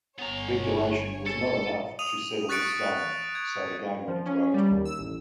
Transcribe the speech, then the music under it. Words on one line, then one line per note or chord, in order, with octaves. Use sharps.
Regulation was not enough to settle this game, so the game went into overtime.
G1 B3 C#5 G#5 A#5
A4 C#7
D#6 D#7 F7
C#6 F#6 A6 B6 C#7 D7
G#6
F3
C#4
G3
D#2
E6
A1